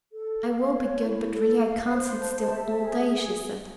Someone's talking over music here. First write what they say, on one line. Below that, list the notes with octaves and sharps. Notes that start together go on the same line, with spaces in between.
"I will be good, but really I can't sit still all day," she said.
A4
F5
C#5
E4
A4
F5
C5
A5
E5
G#4